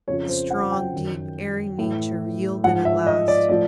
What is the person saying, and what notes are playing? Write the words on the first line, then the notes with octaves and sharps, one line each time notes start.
The strong, deep, erring nature yielded at last.
F2 C#3 F3 C#5
C5
F#5
G5
F#2 D#3
A2 E3
G#2 F3 F#5
E5
D#5
D5
A2 F3 D5